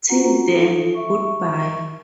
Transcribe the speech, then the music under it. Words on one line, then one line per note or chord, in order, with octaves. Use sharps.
Till then, good-bye!
C#4 F4 F#4 F#5 A#5
D#4 F4 A4
E5 C#6